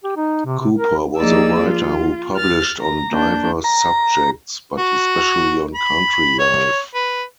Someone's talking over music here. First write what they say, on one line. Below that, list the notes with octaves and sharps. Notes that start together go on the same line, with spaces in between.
Cooper was a writer who published on diverse subjects, but especially on country life.
G4
D#4
C3
C3
A#4
F3 A#3 D#4 G#4 D5 E6
F4
F6 A6
A#5
A#3 D4 G6
A#5
F#4
B5
C#5
B4